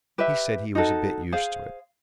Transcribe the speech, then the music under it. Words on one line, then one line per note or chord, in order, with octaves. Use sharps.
He said he was a bit used to it.
G4 B4 E5
D#4 F#4 A4
G#4 C5 F5